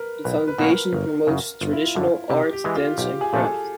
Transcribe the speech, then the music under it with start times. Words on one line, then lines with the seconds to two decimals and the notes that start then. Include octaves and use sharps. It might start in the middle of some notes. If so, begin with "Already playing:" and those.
The foundation promotes traditional art, dance and craft.
Already playing: A#4 B4
0.24 B1 B4
0.48 B4
0.58 B2 F#3 A#3 C#4
0.70 A#4
0.93 G1 A#4
1.27 F#2 C#3
1.61 G1 F4
1.73 E4
1.85 F4
1.95 F#2 D3
2.29 C3 G4
2.53 G4
2.64 E3 G#3
2.75 F4
2.98 B1 G4
3.21 G#4
3.33 A#2 F3 A3 D4 A4
3.44 G#4